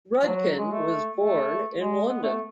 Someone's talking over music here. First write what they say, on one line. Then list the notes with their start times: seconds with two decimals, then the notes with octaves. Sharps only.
Rudkin was born in London.
0.23 F3
0.27 F#3
0.58 G#3
0.72 A3
1.18 A3
1.78 G#3
2.09 B3
2.23 A3